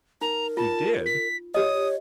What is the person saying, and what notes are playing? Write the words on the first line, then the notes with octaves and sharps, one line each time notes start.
"You did!"
D#4 A#4 A#5
F4 A5
B6
G4 C#5 D#5 D#6